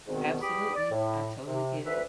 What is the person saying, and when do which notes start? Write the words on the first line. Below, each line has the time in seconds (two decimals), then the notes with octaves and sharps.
Absolutely. I totally get it.
0.08 D2 G#2 B2 D#3 B3 C4
0.42 E2 G4 B5 D6 D#6
0.75 D5
0.92 A2
1.47 C3
1.84 D2 B4 E5